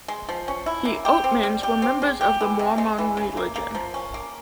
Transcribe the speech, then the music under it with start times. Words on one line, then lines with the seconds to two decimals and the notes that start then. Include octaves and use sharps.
The Oatmans were members of the Mormon religion.
0.08 G#3
0.29 F3
0.48 C#4
0.66 E4
0.85 A#3
1.05 G4
1.24 C4
1.43 G3
1.63 G4
1.82 C4
2.02 G#3
2.21 G4
2.41 E3
2.59 C3
2.78 G#3
2.98 E3
3.17 C#3
3.37 A#3
3.56 A#3
3.75 F3
3.94 C#4
4.14 A#3